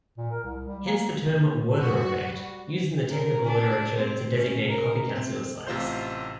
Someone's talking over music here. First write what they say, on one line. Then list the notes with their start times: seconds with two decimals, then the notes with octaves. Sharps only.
Hence the term "Werther effect", used in the technical literature to designate copycat suicides.
0.18 A#2
0.31 A#4
0.44 C2
0.67 G3
0.85 A#3
1.26 C3 D#3 A#3
1.81 F#2 F#4
2.28 G3
3.11 A#4
3.44 D4
3.96 C4
4.35 C#4
4.69 A#4
5.16 C4
5.67 A1 C3 F4 C5 C6 G6